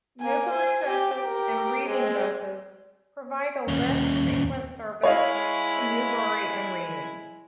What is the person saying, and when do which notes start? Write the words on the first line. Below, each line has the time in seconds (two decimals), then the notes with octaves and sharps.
Newbury Buses and Reading Buses provide a less frequent service to Newbury and Reading.
0.20 A#3 G#5
0.49 C5 G#5
0.87 G4
1.24 G4 A#4
1.88 G#3 C4
3.68 D#2 C#4
5.03 G#3 E4 C#5 D#5 F5